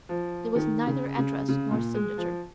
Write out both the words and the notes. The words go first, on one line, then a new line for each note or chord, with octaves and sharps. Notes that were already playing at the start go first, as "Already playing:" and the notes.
There was neither address nor signature.
F3
D#3
C#3
C#3
C#3
A#2
G#3
F3